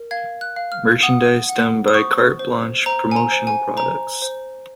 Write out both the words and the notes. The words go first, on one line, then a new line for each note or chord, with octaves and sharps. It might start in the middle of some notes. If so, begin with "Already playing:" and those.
Merchandise done by Carte Blanche Promotional Products.
Already playing: A#4
F5 G#6
F#6
F5
F6
F#5 D#6
F#5
D#6
C5 C#6
C5
C5 A#5
G#5
A#5
C5
G#5
C5 A#5
C5